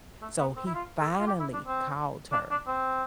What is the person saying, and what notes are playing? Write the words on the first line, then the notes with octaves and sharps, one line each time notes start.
So he finally called her,
A3
B3
C4
E4
F4
A4
F4
G4
E4
D4
C4
D4
D4
C4